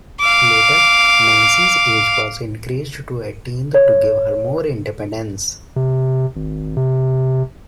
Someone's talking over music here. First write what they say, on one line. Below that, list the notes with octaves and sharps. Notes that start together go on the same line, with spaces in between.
Later, Nancy's age was increased to eighteen to give her more independence.
F5 D6
C#5
C3
G#1
C3